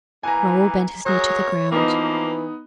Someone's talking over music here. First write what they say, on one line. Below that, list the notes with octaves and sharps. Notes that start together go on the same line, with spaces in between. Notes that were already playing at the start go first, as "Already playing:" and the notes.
Raoul bent his knee to the ground.
E3 A#3 B3 G#5 A#5
F#3 G#4 A#4 C#5
E3 F3 A#3 B3 D#4